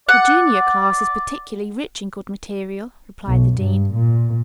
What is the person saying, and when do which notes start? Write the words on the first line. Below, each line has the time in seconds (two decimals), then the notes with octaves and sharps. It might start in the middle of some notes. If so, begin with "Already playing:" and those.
"The junior class is particularly rich in good material," replied the dean.
0.09 D5 F#5
3.27 B1
3.58 G2
3.94 A#2